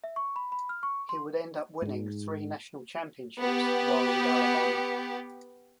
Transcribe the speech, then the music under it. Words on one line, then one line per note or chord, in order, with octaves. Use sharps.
He would end up winning three National Championships while with Alabama.
E5
C#6
B5
B5
F6
C#6
C6
G#2
B3 G4